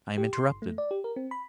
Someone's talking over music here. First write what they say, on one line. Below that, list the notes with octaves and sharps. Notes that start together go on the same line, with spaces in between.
I am interrupted.
G4
C6
G1
A3
D5
G4
A#4
C4
B5